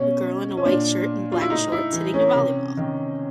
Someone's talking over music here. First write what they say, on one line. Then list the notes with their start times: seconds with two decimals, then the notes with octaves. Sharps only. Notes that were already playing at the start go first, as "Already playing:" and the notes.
A girl in a white shirt and black shorts hitting a volleyball.
Already playing: B2 C#4
0.57 C#4
0.66 A#2 D4
1.32 F4
1.41 E4
1.50 A2 D#4
1.72 E4
1.93 E3
2.14 C#4
2.35 C3
2.77 D#3